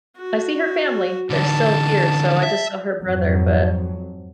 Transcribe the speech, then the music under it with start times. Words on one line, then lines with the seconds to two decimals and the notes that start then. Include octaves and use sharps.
I see her family, they're still here, so, I just saw her brother but
0.17 F#4
1.30 D3 E3 A5
2.43 E5
3.02 F2 G#2 F#3